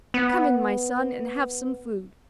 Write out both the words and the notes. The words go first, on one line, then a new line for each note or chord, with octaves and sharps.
'Come in, my son, and have some food.
B3